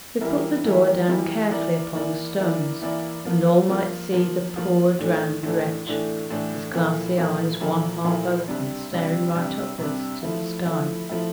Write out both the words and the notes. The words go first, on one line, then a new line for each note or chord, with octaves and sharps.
They put the door down carefully upon the stones, and all might see the poor drowned wretch--his glassy eyes, one half-open, staring right upwards to the sky.
E3 G3 A#3 E4 A#4
E3 G3 A#3 E4 A#4
E3 G3 A#3 E4 A#4
E3 A#3 E4 A#4 D5
E3 A#3 E4 A#4 D5
E3 A#3 E4 A#4 D5
E3 A#3 E4 A#4 D5
F3 A#3 F4
F3 A#3 F4
F3 A#3 F4
F3 A#3 F4
A2 E3 A3 D4 A4
A2 E3 A3 D4 A4
A2 E3 A3 D4 A4
A2 E3 A3 D4 A4
A#2 F3 A#3 E4 A4
A#2 F3 A#3 E4 A4
A#2 F3 A#3 E4 A4
A#2 F3 A#3 E4 A4
C3 G3 D4
C3 G3 D4
C3 G3 D4
C3 G3 D4
F3 A3 E4
F3 A3 E4
F3 A3 E4